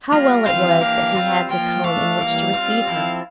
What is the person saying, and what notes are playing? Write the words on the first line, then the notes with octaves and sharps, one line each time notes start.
How well it was that he had this home in which to receive her!
G3 A#3 F4 A#4
E3 G3 C4 F4 C5 F5
E3 A#3 D4 G4 A#4
G3 C4 F4 C5
F3 A#3 F4 G5
A3 D4 A4 F5
E3 G3 A#3
G3 C4 F4
F3 C4 E4 A4